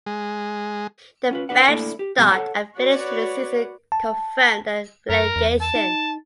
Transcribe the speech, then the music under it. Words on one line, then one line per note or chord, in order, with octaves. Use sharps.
The bad start and finish to the season confirmed the relegation.
G#3
C#4 F4 B4
D4 F#4 B4 F#5
A3 A#3 D4 E4 A4 D5
G4
F2 B2 G3 F5 A5
A4 A#4 C#5 F#5 A5
F#4 B4 C#5 D5 F#5
A5
F#2 A#4
E2
A5
D#4